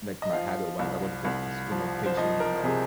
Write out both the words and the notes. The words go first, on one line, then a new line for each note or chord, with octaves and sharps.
like my habit-wise, I would've definitely just been more patient, you know?
D#5
F3 F5
C2
C2
F3
C5
F3 D#5
A#4
C3 G#4